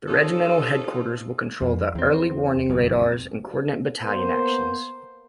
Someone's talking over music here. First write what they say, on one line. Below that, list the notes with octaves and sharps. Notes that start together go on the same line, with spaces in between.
The regimental headquarters will control the early-warning radars and coordinate battalion actions.
C3 F3 C#4 D#4 F4 A4
F2
E2 C4
F#1 C2 F2
A#3 B3 A#4 C5